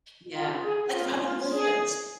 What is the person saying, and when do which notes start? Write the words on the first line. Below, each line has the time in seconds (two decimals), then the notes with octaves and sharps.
Yeah, like Robin Williams,
0.34 F4
0.63 G#4
0.93 F4
1.22 F4
1.52 G#4